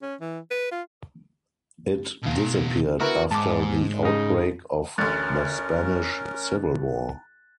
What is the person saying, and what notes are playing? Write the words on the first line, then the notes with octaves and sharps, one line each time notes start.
It disappeared after the outbreak of the Spanish Civil War.
C#4
E3
B4
F4
B2 F5
B3 E4 F#4 A#4
G#2 A5 D6
C#3 D#4
A1 D2 C#4 A#4 F#6 A6